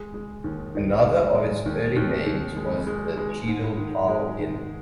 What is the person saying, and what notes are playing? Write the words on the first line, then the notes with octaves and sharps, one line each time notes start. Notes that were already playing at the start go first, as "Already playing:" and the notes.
Another of its early names was the Cheadle Plough Inn.
Already playing: G#3
G#3
D#2
D#3
G#3
G#3
D#2
D#2
D#2
G#3
G#3
G#3
G#2
D#3
G#3
D#3